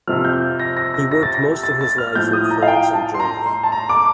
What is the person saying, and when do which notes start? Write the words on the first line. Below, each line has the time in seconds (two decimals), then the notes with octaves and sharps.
He worked most of his life in France and Germany.
0.07 F2 C3 F3 F6
0.25 G6
0.60 A#6
0.77 A#6
0.94 A#6
1.11 A#6
1.23 A6
1.34 A#6
1.63 A6
1.81 A6
1.98 F6
2.15 A2 F3 G6
2.33 D#6
2.51 A#5
2.63 F5
2.68 G5
2.94 A5
3.14 C6
3.20 A#5
3.46 C6
3.63 A5
3.72 A#5
3.89 D6